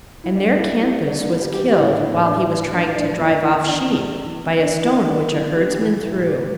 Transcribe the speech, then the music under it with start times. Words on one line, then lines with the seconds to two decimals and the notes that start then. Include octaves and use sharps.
And there Canthus was killed while he was trying to drive off sheep, by a stone which a herdsman threw.
0.24 E4
0.35 G3 D4
0.50 D4
0.58 E4
0.70 G3
0.82 E4
1.06 C2 D4
1.17 D4
1.29 E4
1.42 G3
1.54 G4
1.71 G4
1.77 A2 E4
1.95 D4
2.00 E4
2.13 A2
2.25 D4
2.48 E3 E4
2.72 D4
2.83 A2
2.96 D4
3.19 E2 E4
3.43 E4
3.55 E3
3.67 D4
3.90 E2
4.25 E3
4.61 D3 D4
4.85 E4
4.97 D3
5.08 D4
5.32 D3 E4
5.56 G4
5.68 D2
5.80 E4
6.04 A2 E4
6.27 G4
6.39 A3